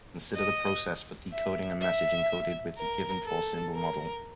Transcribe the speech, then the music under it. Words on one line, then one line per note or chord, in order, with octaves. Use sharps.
Consider the process for decoding a message encoded with the given four-symbol model.
D#5
E5
E5
A#4
A4
A#4